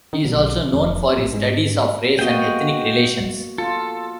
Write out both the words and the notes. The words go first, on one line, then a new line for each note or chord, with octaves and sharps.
He is also known for his studies of race and ethnic relations.
D#3
B1
F1
A1
G#2
A#3 B3 F#4 D#5 G5
F4 A4